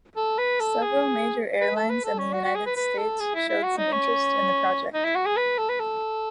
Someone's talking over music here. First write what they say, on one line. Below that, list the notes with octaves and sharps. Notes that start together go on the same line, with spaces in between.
Several major airlines in the United States showed some interest in the project.
A4
B4
A4
G#4
B4
A4
B4
A4
C#4
F#4
F#4
G#4
B4
B4
A4
G#4
E4
E4
F#4
D#4
C#4
D#4
E4
F#4
G#4
B4
A4
B4
A4